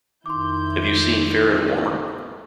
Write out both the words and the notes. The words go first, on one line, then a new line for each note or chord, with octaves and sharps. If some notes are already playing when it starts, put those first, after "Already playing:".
Have you seen "Fair and Warmer"?
F2 D#3 E4 C6 D6 G6